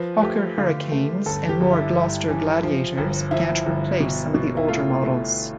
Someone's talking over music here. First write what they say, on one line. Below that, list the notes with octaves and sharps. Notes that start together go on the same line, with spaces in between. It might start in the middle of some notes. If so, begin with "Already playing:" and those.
Hawker Hurricanes and more Gloster Gladiators began to replace some of the older models.
Already playing: F3 B4
A3 G4
D3 F4
A3
G1 A4
G4
G1
E4
G2
E3
F3
G1
F3 E4
G1
B2
B2
E4
A3 F4
A3